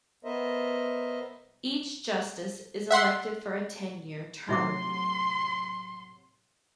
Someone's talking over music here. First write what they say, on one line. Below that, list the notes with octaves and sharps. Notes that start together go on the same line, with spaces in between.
Each justice is elected for a ten-year term.
B3 A#4 C5 D#5 E5
E5 F#5 C6
A2 C3 F#3 D#4 E5 C6 D6